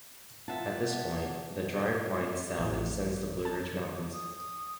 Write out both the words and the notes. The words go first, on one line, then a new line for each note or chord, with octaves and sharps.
At this point, the drive winds south and ascends the Blue Ridge Mountains.
E3 D#4 F4 C5 E5 F#5 A5
C3 B3
E2 D#5
F#2 B2 C4 B4
A1
A5
D#6